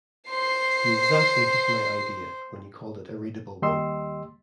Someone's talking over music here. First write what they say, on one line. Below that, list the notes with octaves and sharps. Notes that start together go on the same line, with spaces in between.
You exactly hit my idea, when you called it a readable one.
C5 C7
D#2 G3 G4 D#5 C6 E6